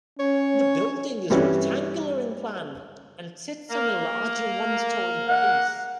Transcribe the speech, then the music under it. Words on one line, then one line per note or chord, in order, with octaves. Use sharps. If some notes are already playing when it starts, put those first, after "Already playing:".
The building is rectangular in plan and sits on a larger one-story base.
C#4 C#5
G2 C3 E3 G3 C#4 F#4
A#3
F#5